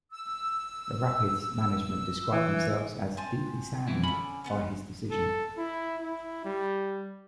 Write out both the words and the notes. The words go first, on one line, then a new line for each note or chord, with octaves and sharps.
The Rapids' management described themselves as "deeply saddened" by his decision.
E6
E3
C4 G#5 A5
B2 E3 E4
D3 C#4 B5
A3 B3 C#4
A4
E4
E4
G3